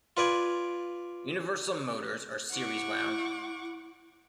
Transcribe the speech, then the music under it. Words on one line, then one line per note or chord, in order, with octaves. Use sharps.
Universal motors are series wound.
F4 B4 D5 G#5
E4 F#5 C#6 D6